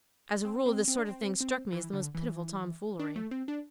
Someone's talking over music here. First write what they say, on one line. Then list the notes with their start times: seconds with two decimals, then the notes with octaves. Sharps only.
As a rule this sort of thing struck me as the most pitiful tomfoolery.
0.45 C4
0.66 C4
0.88 C4
0.98 D4
1.09 C4
1.40 C4
1.72 E3
1.93 D3
2.15 E3
2.99 D4
3.16 A3
3.31 C4
3.48 D4